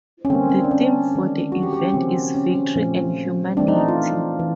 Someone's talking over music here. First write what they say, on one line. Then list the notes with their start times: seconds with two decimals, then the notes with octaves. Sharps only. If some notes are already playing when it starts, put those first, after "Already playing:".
The theme for the event is "Victory and Humanity".
0.25 C#4
0.30 D3 G3 A#3 C4
0.50 C4
0.64 D4
0.71 C#4
1.12 D#3 G#3 C4
1.52 F#4
1.63 G4
1.73 G4
1.83 C#4
1.94 C#3 F3 A#3 C4
2.35 C#4
2.55 C#4
2.75 A#2 F3 A3 C4
3.57 E3 A3 C4 D4
3.68 D#4
3.88 F4
4.39 E3